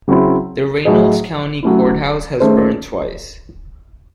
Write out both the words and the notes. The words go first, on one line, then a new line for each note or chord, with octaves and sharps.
The Reynolds County Courthouse has burned twice.
C#3 F#3 C4 E4
A2 F#3 A3 D#4 G#4
F#3 A3 C#4 E4
D#3 A3 C#4 G#4 C5